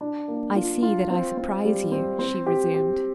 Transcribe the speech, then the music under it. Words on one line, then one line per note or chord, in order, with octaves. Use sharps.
"I see that I surprise you," she resumed.
D4
A#3
F4
F4
C4
C4
G3
C4
C4
G4
G4